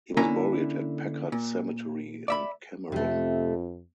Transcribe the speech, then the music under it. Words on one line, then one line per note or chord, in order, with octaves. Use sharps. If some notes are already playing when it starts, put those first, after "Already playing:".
He was buried at Packard Cemetery in Cameron.
D3 A#3 C#4 E4 G#5 A#5
A#2
D5 E5 B5
F2 C3 A3